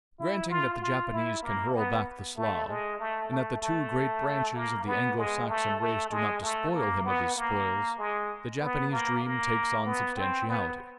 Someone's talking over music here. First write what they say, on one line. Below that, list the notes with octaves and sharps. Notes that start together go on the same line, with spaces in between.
Granting that the Japanese can hurl back the Slav and that the two great branches of the Anglo-Saxon race do not despoil him of his spoils, the Japanese dream takes on substantiality.
E4
F4
F4
E4
A#3
B3
A3
G#3
A3
A3
A3
A#3
B3
G#3
A3
A3
G#3
A3
A#3
B3
A#3
G#3
B3
A#3
A#3
B3
C4
B3